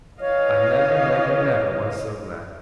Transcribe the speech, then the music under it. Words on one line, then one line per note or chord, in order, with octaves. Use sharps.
'I never, never, never was so glad!
E3 C#5 D#5 F5